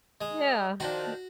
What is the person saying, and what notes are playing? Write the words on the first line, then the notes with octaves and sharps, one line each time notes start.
yeah, y
G#3
D#3 F3 D4 F#4